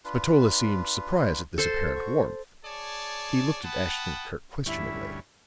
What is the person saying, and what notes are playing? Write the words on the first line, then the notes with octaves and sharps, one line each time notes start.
Spatola seemed surprised at this apparent warmth; he looked at Ashton-Kirk questioningly.
D4 F4 B4
A4 C5 C6
F#4 C#6
G#4 C#5 D5 A5
F#5 G5 A5 B5 D#6
D2 G2 C#4 E4